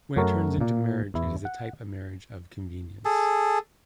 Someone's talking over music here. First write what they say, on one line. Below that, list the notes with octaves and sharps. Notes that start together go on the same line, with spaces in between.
When it turns into marriage it is a type of marriage of convenience.
F#2 A3 F#4 A#4 C#5
A#2 A#3
E2 E4
F#5
G#4 A4